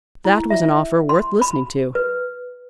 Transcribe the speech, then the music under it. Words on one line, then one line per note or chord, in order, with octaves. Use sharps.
That was an offer worth listening to.
E4
E5
C6
B5
B4